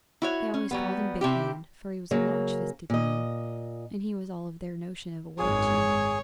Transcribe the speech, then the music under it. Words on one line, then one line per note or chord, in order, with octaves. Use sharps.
They always called him Big Hand, for he was a large-fisted man, and he was all of their notion of a white chief.
E4 F#4 C#5
C#4
F#3 G3 B3
C3 E4 G4
C#3 F#3 A#3
A#2 D#5
G#1 F#2 G#3 G#4 C#5